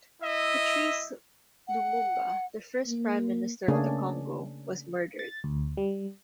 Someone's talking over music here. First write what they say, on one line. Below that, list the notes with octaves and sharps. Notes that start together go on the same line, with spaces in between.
Patrice Lumumba, the first Prime Minister of the Congo, was murdered.
E4 D#5 E5
F#5
A#3
C#3 A3 A#3 C#4 D4 G#4
A6
D2
G3